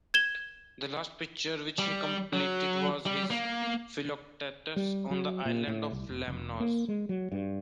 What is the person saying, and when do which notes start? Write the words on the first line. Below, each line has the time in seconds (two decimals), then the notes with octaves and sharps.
The last picture which he completed was his "Philoctetus on the Island of Lemnos".
0.14 G#6 E7 G7
1.79 G3
2.33 F#3
3.06 G3
3.30 A#3
4.76 G3
5.11 F#3
5.45 A#2
5.67 A2
5.92 C2
6.09 F1
6.28 F1
6.60 A#3
6.88 G#3
7.09 F#3
7.32 G2